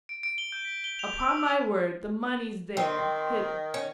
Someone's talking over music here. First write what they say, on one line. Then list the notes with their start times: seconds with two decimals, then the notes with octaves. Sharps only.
"Upon my word, the money's there, hidden."
0.09 D7
0.23 D7
0.38 G7
0.52 G6
0.65 B6
0.84 G7
0.99 F7
1.20 E6
1.37 E6
2.77 D#3 C4
3.74 C#4